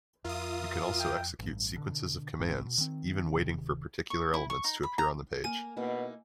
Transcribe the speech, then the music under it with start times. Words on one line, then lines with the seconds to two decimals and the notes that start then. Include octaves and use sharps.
You can also execute sequences of commands, even waiting for particular elements to appear in the page.
0.25 F2 F4 A#4 E5 F5 D#6
1.00 G5
1.39 A1 G2
1.78 B2 D3
2.39 G#1 G#2 D#3 C4
2.66 B2
2.78 D#3 C4
3.33 D1 C3 D#3
4.10 C#6
4.34 E4
4.50 C#6
4.64 D#4
4.83 B5
4.98 A#5
5.44 A#3 A#4 G#5 D#7
5.77 B2 A#3 D#4 E4